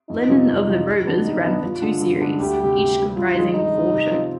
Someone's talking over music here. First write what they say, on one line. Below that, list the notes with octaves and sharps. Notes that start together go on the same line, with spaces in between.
Lenin of the Rovers ran for two series, each comprising four shows.
F2 D#4
C3 F3
F2
C3 F3
G2
D#3 B3 D4
G2 D#4
D#3 B3 D4
G2 F4
D3 G#3 D4
G2
D3 G#3 D4
D2 G4
G3
C3
D2
C3 G3
G2 F4
D#3 G#3
G2 D#4
D#3 G#3
C3
F3 C4